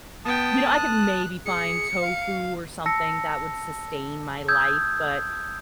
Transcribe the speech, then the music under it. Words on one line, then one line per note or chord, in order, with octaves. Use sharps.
you know, I could maybe find tofu or something that would sustain my life, but
B3 G5 A5 D#6
F#6
G#4 C#7
F5
A5 E6 A#6 C#7
D#6 E6 G6 G#6